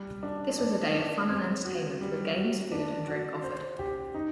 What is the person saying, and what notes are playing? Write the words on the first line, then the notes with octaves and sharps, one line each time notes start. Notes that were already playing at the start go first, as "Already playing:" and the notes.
This was a day of fun and entertainment with games, food and drink offered.
Already playing: G3
D4
D4
D4
C4
F#4
G3
F#4
D4
F#4
C5
G4
D#4